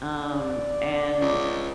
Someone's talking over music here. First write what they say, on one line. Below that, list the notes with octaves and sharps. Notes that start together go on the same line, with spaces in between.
um, and,
D5
C#2